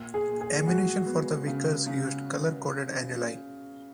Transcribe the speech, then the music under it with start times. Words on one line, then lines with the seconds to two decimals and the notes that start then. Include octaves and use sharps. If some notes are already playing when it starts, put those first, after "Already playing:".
Ammunition for the Vickers used colour-coded annuli.
Already playing: A#2
0.14 G#4
0.27 A#2
0.41 G#4
0.67 G#3 F#4
1.07 B3
1.46 C#3
1.86 C#3